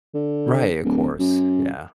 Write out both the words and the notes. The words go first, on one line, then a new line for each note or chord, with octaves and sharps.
Right, of course, yeah,
D3
D1
F#2